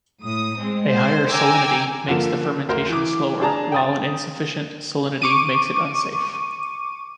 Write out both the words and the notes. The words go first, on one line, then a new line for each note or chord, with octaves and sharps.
A higher salinity makes the fermentation slower, while an insufficient salinity makes it unsafe.
A2 D#6
G#3 C4
C5
G5 G#5 A#5 D6 E6 G#6
D3 F3 A#3 E7
D2 A#4 C5
E3 D6
D4 G#4 A5 A#5
G5 D#6 A6
C#6 D6 D#7